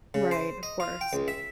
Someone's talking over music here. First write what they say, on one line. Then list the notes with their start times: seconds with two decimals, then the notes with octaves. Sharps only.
Right, of course.
0.14 C#3
0.31 C5
0.63 D#5
0.80 F4
1.01 G5
1.13 C#2
1.28 E5